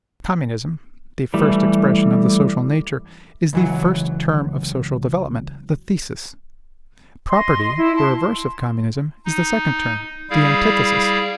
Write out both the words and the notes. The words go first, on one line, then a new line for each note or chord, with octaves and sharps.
Communism--the first expression of the social nature--is the first term of social development,--the THESIS; property, the reverse of communism, is the second term,--the ANTITHESIS.
E3 G3 A3
C#2 E3 F#3
D#5 C6
E4
A5 C6
D#4
G3 E4 G#4 F5